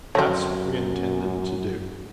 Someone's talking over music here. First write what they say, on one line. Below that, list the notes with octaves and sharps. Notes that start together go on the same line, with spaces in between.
That's what we intended to do.
F#2 D3 A3 C4 F#4 C#5